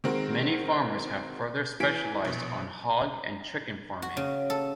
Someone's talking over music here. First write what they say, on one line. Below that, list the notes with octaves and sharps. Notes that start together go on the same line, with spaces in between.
Many farmers have further specialized on hog and chicken farming.
D#3 G#3 C4 F#4 A#4
E3 G#5 B6 D7
A#1 B2
F#4
C#3
A4